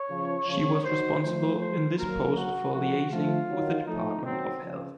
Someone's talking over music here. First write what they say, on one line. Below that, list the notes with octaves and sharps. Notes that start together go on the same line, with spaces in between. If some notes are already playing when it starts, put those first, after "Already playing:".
She was responsible, in this post, for liaising with the Department of Health.
Already playing: C#5
C#3 F3
C#3 F3
D#3 F#3 C5
F3 A3 C5
C5
F#3 A#3 A#4
F#4
F3 A3 F#4
F3 A3 F4
D#3 F#3
F3 A3 D#4
D#3 F#3 C4
C#3 F3